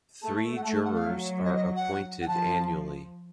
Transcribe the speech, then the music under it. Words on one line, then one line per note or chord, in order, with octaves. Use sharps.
Three jurors are appointed annually.
A3 A5
F#5
A3 A5
A5
F#5
F5
F#3
D#5
D#5
F#5
F#5
F3 A5